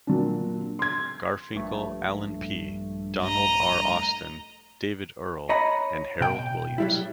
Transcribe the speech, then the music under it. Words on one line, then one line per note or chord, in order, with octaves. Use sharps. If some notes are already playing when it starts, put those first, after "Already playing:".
Garfinkel, Alan P., Donald R. Austin, David Earle, and Harold Williams.
A#2 F#3 D4
C6 G#6
A#1 G2 A3
D#5 A#5
C#5 D#5 A#5 B5
B2 G5
F#3 G3 E4